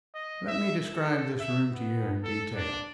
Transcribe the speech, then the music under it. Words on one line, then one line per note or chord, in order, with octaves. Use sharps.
Let me describe this room to you in detail.
D#5
E5
A4
E5
B3
A4
D4